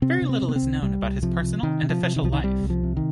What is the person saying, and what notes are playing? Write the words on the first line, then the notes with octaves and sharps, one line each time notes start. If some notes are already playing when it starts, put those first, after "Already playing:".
Very little is known about his personal and official life.
C3 C4
C3
C4
C3
B3
C4
C2
C2 G3
C2
C3 F3
C3
C3 D#3
C3
F3
C3
D#3
C2 F3
D#3
C3 G3
C2
F3
C3
D#3